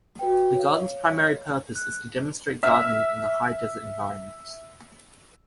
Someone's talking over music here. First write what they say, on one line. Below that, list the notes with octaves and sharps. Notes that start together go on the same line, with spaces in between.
The garden's primary purpose is to demonstrate gardening in the high desert environment.
F#4 B4 G5
C#5 F5
F#6
E5 E6 F6